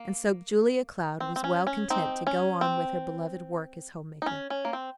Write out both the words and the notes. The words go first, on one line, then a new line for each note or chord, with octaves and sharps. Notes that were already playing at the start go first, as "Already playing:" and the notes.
And so Julia Cloud was well content to go on with her beloved work as home-maker.
Already playing: A#3
C4
C4
C#4
C#4
C4 D#4
C#4
C4
D#4
C#4
C#4
A#3
C4